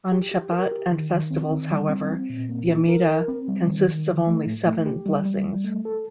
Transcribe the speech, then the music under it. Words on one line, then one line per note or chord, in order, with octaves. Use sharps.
On Shabbat and festivals, however, the Amidah consists of only seven blessings.
G4
G4
A#4
G4
D#3
D#3
C4
D#3
G3
C4
C4
A#2
A#3
D#4
A#4
A#4
C4
G3
D#3
D#3
F3
A3
A2
A3
G4
G3
G3
G3
A3
A4